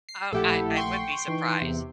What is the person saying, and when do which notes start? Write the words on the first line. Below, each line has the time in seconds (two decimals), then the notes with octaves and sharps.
Oh, I I would be surprised.
0.09 C7
0.32 A#1 A3 E4 G4 A4 F#5
0.76 G5 C6 C#6
1.28 E3 D#4
1.62 E2 C3